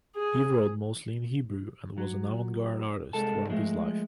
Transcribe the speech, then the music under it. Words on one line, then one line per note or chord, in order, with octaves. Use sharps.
He wrote mostly in Hebrew, and was an avant-garde artist throughout his life.
G#4
F#3
C2 G#3 A4 A5
F3 G#3 A3